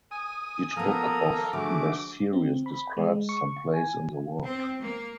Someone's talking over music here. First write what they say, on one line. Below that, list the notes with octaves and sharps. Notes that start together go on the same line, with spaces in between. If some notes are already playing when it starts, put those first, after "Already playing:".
Each book of this series describes some place in the world.
G#5 D#6
F3 A#3 B3 A4 A#4 A#5
D3 F3 A3 F#4 G#4 D6
C4
B5
G#3
C#6
G#5
C4
A#3